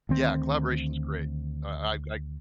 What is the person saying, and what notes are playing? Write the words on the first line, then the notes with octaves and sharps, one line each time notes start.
Yeah. Collaboration's great. Uh, I I
D2 D#3 C4